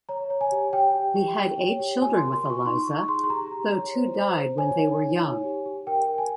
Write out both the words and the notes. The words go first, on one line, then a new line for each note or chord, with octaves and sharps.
He had eight children with Eliza, though two died when they were young.
C#5 A#5
C#5
G#5
G4
G4 G5
G4
G4
G4
C#5
G4
F4 G#5
C6
A#4
C6
F4
C#6
D#4 C6
D#4 C#6
G#4 C6
C6
G4 A#5
G4
C#5
C5
C5
C5
C#5 G#5
D#4
D#4
C#5
G4
G4
A#4 G5
A#4
G#5